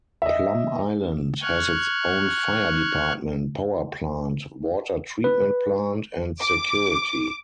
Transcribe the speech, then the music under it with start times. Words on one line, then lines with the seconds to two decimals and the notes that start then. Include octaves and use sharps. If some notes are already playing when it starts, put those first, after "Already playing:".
Plum Island has its own fire department, power plant, water treatment plant and security.
0.22 D#5 E5
1.42 C#6 F6 F#6 G#6
5.24 B4
6.41 D6